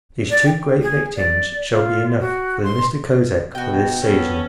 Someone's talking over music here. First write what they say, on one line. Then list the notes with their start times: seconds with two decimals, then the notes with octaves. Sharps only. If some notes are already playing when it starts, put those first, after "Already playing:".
These two great victims shall be enough for the Mista Kosek of this season.
0.30 D5
0.46 G5
0.82 G#4
1.16 D5
1.71 F4
2.20 F#4
2.63 C6
3.55 B2 F#4 G5
4.03 B3 C#4 A4